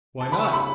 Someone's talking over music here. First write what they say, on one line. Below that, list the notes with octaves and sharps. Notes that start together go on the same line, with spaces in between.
"Why not?"
A5
C#3 B5
C#6
B5